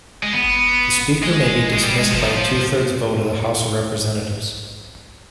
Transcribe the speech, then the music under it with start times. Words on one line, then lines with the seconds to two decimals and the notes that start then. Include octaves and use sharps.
The Speaker may be dismissed by a two-thirds vote of the House of Representatives.
0.23 G#3
0.33 B3
1.23 G#3
1.73 G#3
1.83 G3
1.98 G#3
2.13 F3
2.22 D#3
2.30 F3